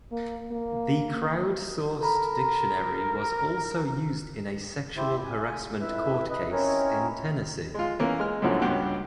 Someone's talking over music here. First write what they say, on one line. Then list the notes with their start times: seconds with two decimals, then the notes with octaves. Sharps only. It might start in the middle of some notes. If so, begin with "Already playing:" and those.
The crowd-sourced dictionary was also used in a sexual harassment court case in Tennessee.
0.12 A#3
0.51 A#3
2.01 A4 A#4 A#5 B5
4.97 E4 G4 C5 E5
5.23 G#5
5.81 F2 E4 B4 E5
6.30 B4 D#5
6.52 C4 C#4 D#4 E4 A#4 C#5
7.75 G#3 F4
7.99 E3 A#3 C#4
8.19 G#3 F6
8.42 F#2 A2 D3 F3 A#3 F#4
8.62 C#2 G2 F#4 G4